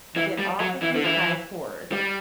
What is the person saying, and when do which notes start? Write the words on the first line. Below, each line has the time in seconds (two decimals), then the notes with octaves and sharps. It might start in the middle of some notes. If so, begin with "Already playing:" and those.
get off of his high horse
0.16 E3
0.39 G3
0.60 F#3
0.82 E3
0.95 D3
1.04 E3
1.92 G3